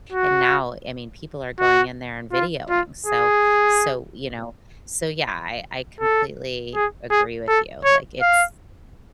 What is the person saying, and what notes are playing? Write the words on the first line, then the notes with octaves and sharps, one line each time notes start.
and now, I mean, people are going in there and videoing, so so, you know so, yeah, I I completely agree with you, like, it's
F#4
F#4
F4
F4
G#4
A4
G#4
G#4
A4
C#5
F5